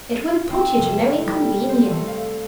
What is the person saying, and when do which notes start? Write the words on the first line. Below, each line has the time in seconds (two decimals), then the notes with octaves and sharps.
It will put you to no inconvenience.
0.33 C7
0.50 C4
0.76 F1
0.89 E7
1.11 A3
1.25 G3
1.69 C5
1.91 A3
2.08 F5